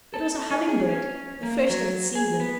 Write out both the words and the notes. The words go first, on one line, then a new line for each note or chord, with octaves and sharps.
It was a humming-bird,--the first of the season.
A4
D#4
G#4
C#4
A#3
F#3
G#4
B3